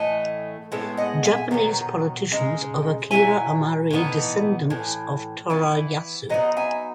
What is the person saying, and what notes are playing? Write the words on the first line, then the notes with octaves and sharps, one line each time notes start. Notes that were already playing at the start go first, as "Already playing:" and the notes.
Japanese Politicians of Akira Amari descendants of Torayasu.
Already playing: A2 E3 A3 D#5
A2 G#3 B3 E5
D#5 F#5
E5 G#5
D#3 F#3 B3
C#3 G#3 D#4
F#3 C#4 E4 E5 G#5
A2 E3 B3 D#4
A2 E3
E3 B3 E4
F#3 B3 D#4 D#5 F#5
E5 G#5